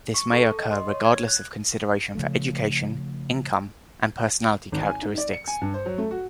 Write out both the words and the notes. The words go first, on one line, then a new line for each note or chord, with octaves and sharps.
This may occur regardless of consideration for education, income, and personality characteristics.
C#6
A4
D#5
C6
C#5
G#6
F#6
C#3 F3 A3
G#1
G#5
D#4
D5
C#7
G#5
G2
C5
F#3
A3
F#4